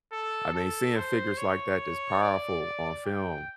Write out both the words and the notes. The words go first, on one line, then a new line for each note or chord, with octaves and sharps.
I mean, seeing figures like that, that's powerful, on film,
A4
A4
C5
C#5
D5
G5